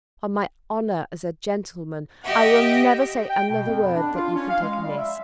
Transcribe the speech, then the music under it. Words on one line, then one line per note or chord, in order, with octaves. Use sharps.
On my honour as a gentleman, I will never say another word that you can take amiss.
G4 D#5 E5 F#5
G5
B2
F2
B3
D4
F4
C#4
F5
G#3
G3
E5